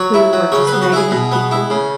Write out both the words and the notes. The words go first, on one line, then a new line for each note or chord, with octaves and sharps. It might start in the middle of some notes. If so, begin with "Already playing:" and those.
who were just negative people,
Already playing: F#3 C#5
E4
F#3
C#3 C#5
B4
B3
F#4
E4 G#4
B2
B3
E4
C#3